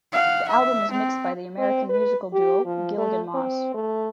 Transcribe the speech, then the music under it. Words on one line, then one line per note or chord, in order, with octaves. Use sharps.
The album is mixed by the American musical duo Gilligan Moss.
F5 F#5
E5
C4
C4
B4
G4
F3
A3
C4
A3